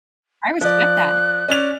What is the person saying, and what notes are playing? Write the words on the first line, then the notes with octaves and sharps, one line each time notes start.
I respect that.
F3 D5 F#6
C#4 D5 F7